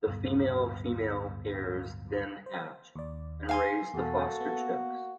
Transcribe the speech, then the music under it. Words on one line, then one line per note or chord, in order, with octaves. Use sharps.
The female-female pairs then hatch and raise the foster-chicks.
D1 G2 B2 B3
C5
D#2 D5
F5 G#5 C6
E2 B2 A#3 F#4 A4
B3